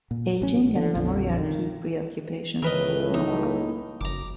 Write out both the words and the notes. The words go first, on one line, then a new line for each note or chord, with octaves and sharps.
Ageing and memory are key preoccupations of this novel.
A#2
A1 C#4
D3
A#1 F2 D3
D#3
C#2 A2 E3 A#4 B4 D#5
D#4
A#3
F#1 A#5 D6